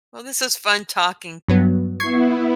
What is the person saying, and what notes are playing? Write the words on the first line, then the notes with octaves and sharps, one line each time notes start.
Well, this is fun talking.
G2 F#3 B3
B3 E4 C#6 G#6 C7